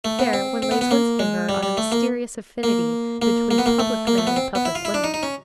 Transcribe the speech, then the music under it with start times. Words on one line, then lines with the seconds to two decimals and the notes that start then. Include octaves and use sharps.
There one lays one's finger on a mysterious affinity between public men and public women.
0.05 A3
0.19 B3
0.33 C4
0.62 C4
0.71 B3
0.81 B3
0.91 A#3
1.19 G#3
1.49 G3
1.63 G3
1.77 A3
1.92 A#3
2.63 A#3
3.22 A#3
3.51 A#3
3.58 B3
3.66 A#3
3.79 A3
4.07 A#3
4.18 A3
4.27 B3
4.36 C4
4.55 B3
4.65 E4
4.75 F4
4.85 E4
4.94 D4
5.04 D#4
5.14 D#4
5.23 C#4